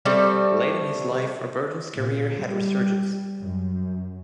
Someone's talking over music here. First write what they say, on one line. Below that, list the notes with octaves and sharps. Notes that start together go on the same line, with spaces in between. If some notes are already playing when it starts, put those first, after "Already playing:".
Late in his life Robertson's career had a resurgence.
G3 A3 C4
A#2
G3
F#2